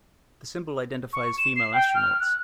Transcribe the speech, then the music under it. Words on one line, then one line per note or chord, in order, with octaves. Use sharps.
The symbol identifies female astronauts.
C#6
E7
C7
G5
F6
F#6